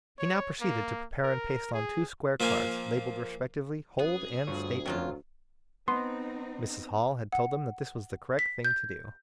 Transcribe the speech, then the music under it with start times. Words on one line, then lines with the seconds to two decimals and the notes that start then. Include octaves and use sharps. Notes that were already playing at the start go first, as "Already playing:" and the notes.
He now proceeded to prepare and paste on two square cards, labelled respectively, "Hold" and "State-room." Mrs. Hall had told them that this was the correct thing to do.
0.19 C#5
0.61 A#3
1.24 A#4
1.73 G#4
2.40 A#2 F3 A#3 G#5
3.99 F#2 B3 G#4
4.47 D2 G2 F4 C#5
4.86 F2 D#3 F#3 C#4 F4
5.88 B3 C4 D#4 C6
7.32 F#5
8.39 B6
8.65 G6